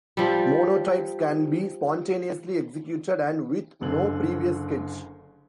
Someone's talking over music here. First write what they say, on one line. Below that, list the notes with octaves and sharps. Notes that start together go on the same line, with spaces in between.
Monotypes can be spontaneously executed and with no previous sketch.
F3 G3
F#1 F#2 D3 F#7